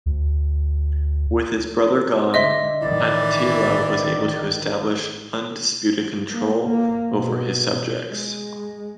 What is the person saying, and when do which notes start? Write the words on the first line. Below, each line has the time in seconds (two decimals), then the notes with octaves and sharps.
With his brother gone, Attila was able to establish undisputed control over his subjects.
0.06 D2
2.34 D3 D#5 E5 C6
2.82 A1 D#3 E3 D5
6.31 A#3
6.65 A#3
7.11 B2
8.08 G#3